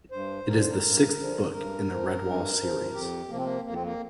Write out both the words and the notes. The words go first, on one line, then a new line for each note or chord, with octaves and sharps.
It is the sixth book in the "Redwall" series.
G2 C5
D3 F3 A#4
C5
A#4
G2
D3 F3
G2 A#4
F3
G2
F3
F2 G4
C3 F3 A#3
C4
A#3
F2 A#3
C4
A#3